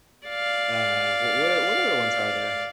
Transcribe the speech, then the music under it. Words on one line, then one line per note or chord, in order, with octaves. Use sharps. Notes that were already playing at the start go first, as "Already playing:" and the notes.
uh, w what o what other ones are there?
D5 F5